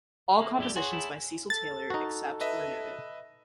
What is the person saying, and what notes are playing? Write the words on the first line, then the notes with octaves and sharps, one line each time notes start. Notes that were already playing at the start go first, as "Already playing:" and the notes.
All compositions by Cecil Taylor except where noted.
C#3 F#3 A3 A#3
A#1 D3 E4 G4
F#4 G#4 C#5 F#5 C6
A3 E4
A4 A6
D#4 F#4
B4 D#5 E5